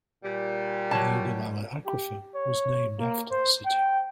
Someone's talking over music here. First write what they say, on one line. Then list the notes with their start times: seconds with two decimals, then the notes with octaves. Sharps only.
The Ogallala Aquifer was named after the city.
0.24 A#2 G3
0.91 F#3 C#5 A5
1.86 G4
2.35 C#5
2.99 A#3
3.31 C5
3.65 G5